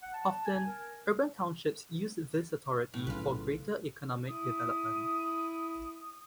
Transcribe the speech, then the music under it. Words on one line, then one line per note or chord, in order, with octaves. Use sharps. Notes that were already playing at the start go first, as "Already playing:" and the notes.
Often, urban townships use this authority for greater economic development.
F#5
A5
A5
G#5
A#4
A2
B1 C#3 C#4 F4 B4
E4 D#6